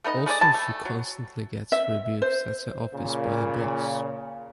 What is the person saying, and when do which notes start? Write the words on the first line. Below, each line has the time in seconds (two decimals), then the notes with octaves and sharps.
Also she constantly gets rebuked at her office by her boss.
0.04 A3 B3 D#4 D#5
0.26 A3 G#4 C#5 D5
0.41 G3 A5
0.54 A3
0.85 F#3
1.72 E5
2.22 C5
2.94 A#2 C#3